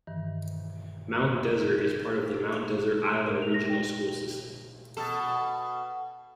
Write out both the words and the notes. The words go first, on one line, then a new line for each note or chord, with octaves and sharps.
Mount Desert is part of the Mount Desert Island Regional School System.
G2 D#3 E3
C6
A#4
F7
A#6
G5
B2 A4